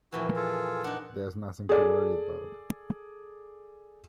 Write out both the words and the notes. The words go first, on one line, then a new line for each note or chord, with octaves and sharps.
There's nothing to worry about.
F2 A#2 E3 E4 F#4
F4 G#4 A4
D4 D#4 F#5
G#4 A4 D5